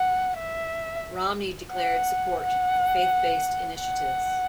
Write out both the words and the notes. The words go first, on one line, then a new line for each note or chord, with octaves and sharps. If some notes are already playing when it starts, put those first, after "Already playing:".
Romney declared support for faith-based initiatives.
Already playing: F#5
E5
F#5
F#5
F#5